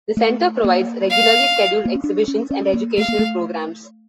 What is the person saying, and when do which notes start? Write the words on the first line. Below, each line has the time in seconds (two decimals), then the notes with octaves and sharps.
The Center provides regularly scheduled exhibitions and educational programs.
0.17 A3
0.64 A#3
1.10 F5
1.85 A#3
1.95 C#4
2.04 D4
2.28 C#4
2.50 C#4
2.74 A#3
2.98 A3 F5
3.08 A#3
3.19 A3